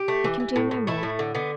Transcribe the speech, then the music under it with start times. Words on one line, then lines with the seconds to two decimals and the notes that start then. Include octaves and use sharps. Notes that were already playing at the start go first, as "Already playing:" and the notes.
"We can do no more."
Already playing: G4
0.08 A3
0.24 E3
0.40 E3
0.56 A2
0.71 A2
0.87 A3 E4
1.03 A2
1.19 D3
1.35 D3 B3